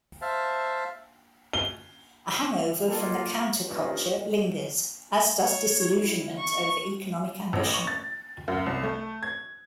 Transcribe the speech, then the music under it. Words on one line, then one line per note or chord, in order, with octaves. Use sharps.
A hangover from the counterculture lingers, as does disillusionment over economic ambition.
C5 E5 F5 A5
G7
A#3 F4 A4
G2 A#2 D#3 F3 G3 C#4
C#5
E4
C#6
A1
C#6
A6
F#2
C2
A3
G#6